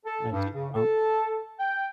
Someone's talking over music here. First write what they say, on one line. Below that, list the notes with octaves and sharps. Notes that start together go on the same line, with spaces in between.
I just don't.
A4
G2
C#3
A4
G5